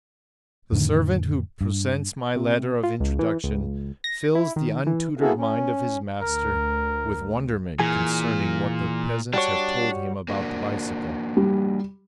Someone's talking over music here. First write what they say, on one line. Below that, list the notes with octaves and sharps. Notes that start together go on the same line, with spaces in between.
The servant who presents my letter of introduction fills the untutored mind of his master with wonderment concerning what the peasants have told him about the bicycle.
F2 A2 D3 D#3
G2
C3
F4
C#2
E3
C#2
A#6
E4
D#3
E3
A#3 B3 E4 F#4 G#4 A4
C#4
D2 A#4
A#2 E3 G#4 G#5
G3 D4 F#4 C#5
A#3 D4 F#4
G3